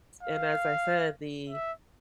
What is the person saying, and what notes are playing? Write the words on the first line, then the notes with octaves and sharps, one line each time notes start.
and, as I said, the
F5
E5